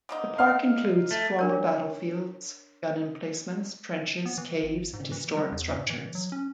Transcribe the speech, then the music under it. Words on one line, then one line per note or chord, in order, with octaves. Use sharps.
The park includes former battlefields, gun emplacements, trenches, caves, and historic structures.
D3 A#3 D#4
F5 F6
A3
D4 A#4 C#5
B3
E3
G#1
G#2
E3
G3
E2
G#2
E3
F#3
C#4